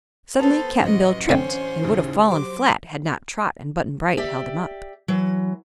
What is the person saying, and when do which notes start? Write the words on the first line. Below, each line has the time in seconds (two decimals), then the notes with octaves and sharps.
Suddenly Cap'n Bill tripped and would have fallen flat had not Trot and Button-Bright held him up.
0.39 B3 A4 B4 C5 A5 F7
0.80 A1 F#3 D#5
1.29 D3 C4 C#4 C5
1.83 D#2 A2 C#3
2.28 F#3 G4 C5 D6
4.17 G4 D5 E5
5.08 E3 F#3